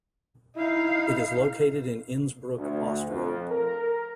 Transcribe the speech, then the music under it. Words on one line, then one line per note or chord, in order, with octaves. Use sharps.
It is located in Innsbruck, Austria.
D#4 E4 F5
D2
F2
A#4